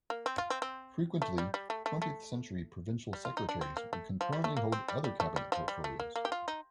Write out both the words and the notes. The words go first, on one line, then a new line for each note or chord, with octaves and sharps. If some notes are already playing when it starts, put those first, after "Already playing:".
Frequently, twentieth-century Provincial Secretaries would concurrently hold other cabinet portfolios.
A#3
C4
F4
C4
C4
A3
G3
G3
A3
A3
A3
G3
F4
D#4
D4
C4
A#3
A3
F3
G3
A3
A#3
C4
G3
G3
A3
G3
F3
G3
A3
A#3
A#3
G4
F4
D#4